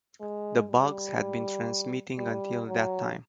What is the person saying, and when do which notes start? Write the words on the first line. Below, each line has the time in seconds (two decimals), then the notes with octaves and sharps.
The bugs had been transmitting until that time.
0.21 G#3
0.70 G3
2.18 G3
2.68 F#3